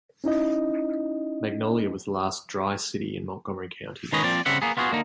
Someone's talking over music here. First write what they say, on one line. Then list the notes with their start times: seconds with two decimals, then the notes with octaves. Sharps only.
Magnolia was the last "dry" city in Montgomery County.
0.24 C#4 D#4 E4 D#5
4.13 D#3 G#3 C#4 B4 C#5 D#5
4.24 A#2 F3 C4 D5
4.46 C#3 G3 C4 E5 F#5
4.62 A#3 B3 G#4
4.77 B3 F4 F#4 G#4
4.91 D3 A#3 D#4